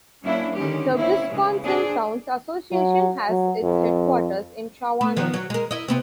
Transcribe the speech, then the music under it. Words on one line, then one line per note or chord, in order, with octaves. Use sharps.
The Wisconsin Towns Association has its headquarters in Shawano.
F#3 A#3 C#4 D4 E4
D3 D#3 G#3 C#4 G4
A#3 C4 C#4 E4
C#3 E3 G#3
C4 D4 G#4
F#3
F#3
F2
A3
D#3 F3 B3
F#3
G#3 A#4
E4 D#5
C3 B3 C4